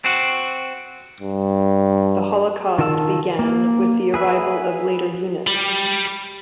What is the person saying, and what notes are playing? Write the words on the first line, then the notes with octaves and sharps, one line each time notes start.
The Holocaust began with the arrival of later units.
C4 F#4
G2
D#3 F4 A#4 A5 E6
A#3
G#4 B4 E5
G4 B5